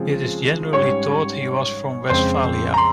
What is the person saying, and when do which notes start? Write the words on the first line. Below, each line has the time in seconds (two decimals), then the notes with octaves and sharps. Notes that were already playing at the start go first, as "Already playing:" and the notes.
It is generally thought he was from Westphalia.
Already playing: C#3 F3 G#3 C4
0.73 G#2 G3 C#4 C#5 C#6
2.09 F2 C#3 G#3 C4 C5 C6
2.74 A#5
2.77 C6